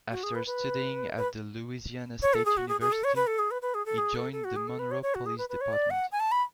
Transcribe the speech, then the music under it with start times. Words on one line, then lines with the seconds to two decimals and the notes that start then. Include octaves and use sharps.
After studying at the Louisiana State University, he joined the Monroe Police Department.
0.12 F#4
0.23 G#4
0.35 B4
0.47 B4
1.17 B4
2.22 C#5
2.34 A4
2.46 G#4
2.57 F#4
2.69 G#4
2.81 G#4
2.92 A4
3.04 C#5
3.16 B4
3.27 A4
3.39 G#4
3.51 B4
3.62 B4
3.74 G#4
3.86 A4
3.98 G#4
4.15 A4
4.33 A4
4.44 F#4
4.56 G#4
4.68 A4
4.79 B4
4.91 C#5
5.03 C#5
5.15 F#4
5.26 G#4
5.38 B4
5.49 B4
5.61 C#5
5.73 D5
5.90 F#5
6.12 G#5
6.20 A5
6.32 B5